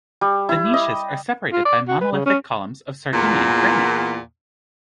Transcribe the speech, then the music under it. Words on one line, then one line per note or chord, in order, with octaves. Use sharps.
The niches are separated by monolithic columns of Sardinian granite.
G3
E4
D#5
F4
D5
F#4
B4
C#3
C#4
E2 A#2